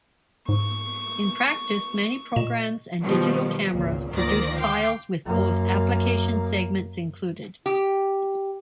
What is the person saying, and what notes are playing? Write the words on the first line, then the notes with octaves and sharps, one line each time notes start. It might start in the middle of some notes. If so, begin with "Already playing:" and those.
In practice, many programs and digital cameras produce files with both application segments included.
G#2 C#6
A#2 D#5 E7
B2 D#3 F3 G3
G#1 C#2 A#2
D2 D#3 F3 A#3 D5 A#6
F5 G5 C6 D6
F#2 A#3
G4